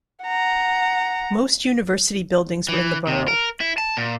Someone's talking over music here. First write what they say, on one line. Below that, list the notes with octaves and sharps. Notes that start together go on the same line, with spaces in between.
Most university buildings were in the borough.
F#5 A#5
E3
C3
A#4
E4
A5
A#2